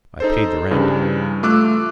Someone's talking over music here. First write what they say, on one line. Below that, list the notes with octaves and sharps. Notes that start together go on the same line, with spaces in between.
I paid the rent.
D#4 A4 C5
G2 C#3 E3 G3
A3 F4 D6 E6 F#6